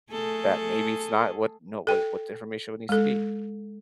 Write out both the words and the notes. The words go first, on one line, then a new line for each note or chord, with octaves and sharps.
That maybe it's not what, you know, what, eh, what the information would need to be.
A3 G#4 A4
A4 G5
G#3 A4